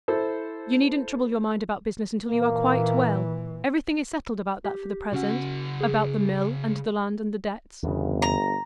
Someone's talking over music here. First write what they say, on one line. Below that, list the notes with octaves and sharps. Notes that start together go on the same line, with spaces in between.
"You needn't trouble your mind about business until you are quite well; everything is settled about that for the present,--about the mill and the land and the debts."
E4 A4 C5
A#2 E3 A#3
G4
C#3 C#4 F#4 F#5
G#4
G1 E2 C#3
A#5